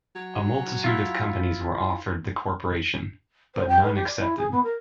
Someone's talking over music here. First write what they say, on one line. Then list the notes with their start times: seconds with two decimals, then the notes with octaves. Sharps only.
A multitude of companies were offered the corporation, but none accepted.
0.15 F#3
0.84 E4 F4
3.55 C5
3.68 G5
3.83 B4
3.96 G4
4.07 D5
4.20 E4
4.37 G#4
4.52 B3
4.64 A#4